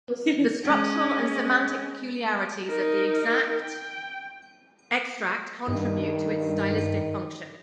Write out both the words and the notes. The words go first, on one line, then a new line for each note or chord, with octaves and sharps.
The structural and semantic peculiarities of the extract contribute to its stylistic function.
G#3 C#4
D#4 A#4
G5
G2 D#3